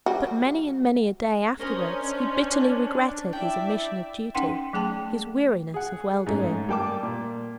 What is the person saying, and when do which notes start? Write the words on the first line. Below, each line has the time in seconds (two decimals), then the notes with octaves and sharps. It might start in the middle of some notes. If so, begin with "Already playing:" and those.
But many and many a day afterwards he bitterly regretted his omission of duty; his weariness of well-doing.
0.06 G3 F#4
1.60 C#4 D4 A#4 C5 D#5
3.33 E4 D5 E5 G5
4.35 C#4 D#4 F#5 G5 C6
4.73 F#3 A3 G#4 G5 A5
5.74 G#4 F#5
6.26 G#2 A3 C#4
6.69 G3 A#3 G5 A5 D6
7.03 A#2